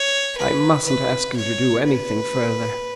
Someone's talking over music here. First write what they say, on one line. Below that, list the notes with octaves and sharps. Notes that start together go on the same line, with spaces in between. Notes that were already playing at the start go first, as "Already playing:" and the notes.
I mustn't ask you to do anything further.
Already playing: C#5
B4
B4
C#5
B4